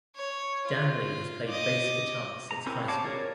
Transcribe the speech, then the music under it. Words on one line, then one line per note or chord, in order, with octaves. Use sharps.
Danley has played bass guitar since high school.
C#5
F4
D#5 D6
A#5
C4 C#4 E4 G4 A#4
F#4 C#5 F5 A5 D6
F4 A#4 C#5 D5